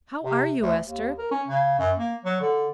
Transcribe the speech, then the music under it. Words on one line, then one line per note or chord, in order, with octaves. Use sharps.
"How are you, Ester?"
C3
D2
D#2
A#4
C#4
C#3
F#2
A#3
F#3
D3